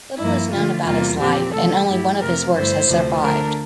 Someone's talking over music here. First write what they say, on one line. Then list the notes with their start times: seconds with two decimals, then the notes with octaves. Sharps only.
Little is known about his life and only one of his works has survived.
0.18 G2 F3 A#3 E4
0.51 D3 F3 A3 F4
0.85 E2 C3 G3 A#3 F4
1.20 A#2 F3 C4 G4
1.53 C3 E3 A3 A4
1.86 G2 F3 A3 E4 G4
2.20 F2 C3 F3 A3 C4 A#4
2.55 G2 D3 A3 E4 C5
2.88 D2 C3 F3
3.22 D3 A3 D4 A#4